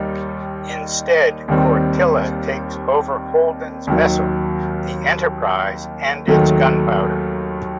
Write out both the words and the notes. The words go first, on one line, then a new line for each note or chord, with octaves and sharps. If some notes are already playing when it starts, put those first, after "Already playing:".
Instead, Cortilla takes over Holden's vessel, the "Enterprise", and its gunpowder.
Already playing: D#2 D#3 G3 D#4
D#2 D#3 G3 C4
D#2 D#3 F#3
D#2 D#3 F#3 A3